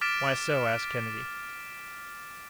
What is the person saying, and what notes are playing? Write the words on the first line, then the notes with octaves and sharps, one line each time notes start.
"Why so?" asked Kennedy.
D6 F6 A6 B6 D7 E7